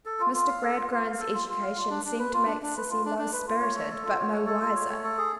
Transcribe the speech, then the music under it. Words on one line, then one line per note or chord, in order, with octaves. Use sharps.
Mr. Gradgrind's education seemed to make Sissy low-spirited, but no wiser.
A4
F4
F4
F5
A4
F4
F4
F5
A4
F4
F4
F5
F4
D4
D4
B4
F4
D4
D4
B4
F4
D4
D4
B4
F4
C#5
A3
A4
F4
C#5
A3
A4
F4
C#5
A3
A4
G#4